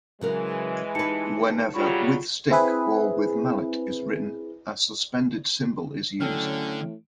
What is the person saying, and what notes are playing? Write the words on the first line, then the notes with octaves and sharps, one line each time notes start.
Whenever "with stick" or "with mallet" is written, a suspended cymbal is used.
C#3 E3 F#3 G#3 A#4
D#4 G4 B4 A5 C#7
C#3 F#3 G3 F4 B5 C#6
C4 E4 G#4 B4
A2 D3 F#3 C#4 A4 G5 F6